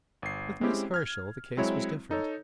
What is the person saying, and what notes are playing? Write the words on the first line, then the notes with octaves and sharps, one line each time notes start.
With Miss Herschel the case was different.
G1 C7
G#3 C4 C#4 E4 G4
F6 G#6
F#3 G#3 C4 E4 C#5
D#4 A4 C#5